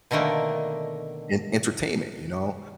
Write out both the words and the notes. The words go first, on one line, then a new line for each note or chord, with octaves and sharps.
en entertainment, you know?
B2 D3 D#3 A3 A#3